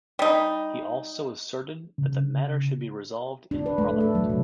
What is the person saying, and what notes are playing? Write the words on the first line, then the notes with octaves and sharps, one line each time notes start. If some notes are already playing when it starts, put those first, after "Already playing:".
He also asserted that the matter should be resolved in parliament.
G3 D#4
C#3
D4
B4
A3
A4
F#3
C3